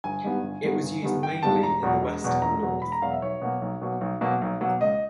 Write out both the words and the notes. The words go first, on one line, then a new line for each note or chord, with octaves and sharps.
It was used mainly in the west and north.
G1 G#5
G2 D#3 G3 B3
G1
G2 D#3 G3 B3
G1
G2 D#3 G3 B3
G1 G5
G2 D#3 G3 B3 A5
E1 A#5
E2 B2 F#3
E1
E2 B2 F#3
E1 A#5
E2 B2 F#3
E1 B5
A#5
E2 B2 F#3 F5
E5
B1 C#5
B2 F#3 A#3
B1
B2 F#3 A#3
B1
B2 F#3 A#3
B1
B2 F#3 A#3
C#2 D#5